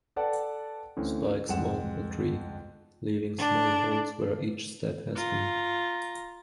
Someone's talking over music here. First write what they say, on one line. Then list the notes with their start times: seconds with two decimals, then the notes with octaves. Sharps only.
Spikes wound the tree, leaving small holes where each step has been.
0.16 A4 B4 D5 F#5 G5 A5
0.97 D2 E3 C4 C#4
1.48 C2 F2 G#3 F#5 E7
3.38 D4
5.15 F4 A#5